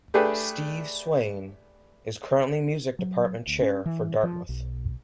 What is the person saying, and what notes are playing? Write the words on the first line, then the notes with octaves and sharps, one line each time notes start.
Steve Swayne is currently music department chair for Dartmouth.
A3 D4 G4 G#4 B4
F#3
D2
C#4
E3
F3
B1